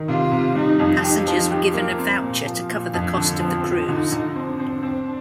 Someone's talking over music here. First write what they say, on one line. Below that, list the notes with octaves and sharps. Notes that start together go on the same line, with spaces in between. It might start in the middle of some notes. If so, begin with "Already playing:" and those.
Passengers were given a voucher to cover the cost of the cruise.
Already playing: D#3
C3 F4
C3
G3 D#4
F2
D#4 G4
F3
G4
A#3
C4
A#2
F3
A#2
F2 D4
D3
F3 C4
F3
D3 D#4
D3
C4 D4
C4
C4 D4